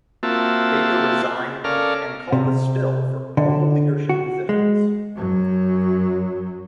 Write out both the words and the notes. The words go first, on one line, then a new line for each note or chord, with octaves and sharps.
Baker resigned and called a spill for all leadership positions.
A#3 C4 F4 F#4 E5 A5
C#4 A4 A#4 D5 F5 F6
C3
D3
F#4
G#3
F#2 F#3